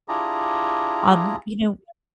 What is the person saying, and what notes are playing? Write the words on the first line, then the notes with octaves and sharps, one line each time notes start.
Um, you know
D4 E4 F4 G4 G#4 A#5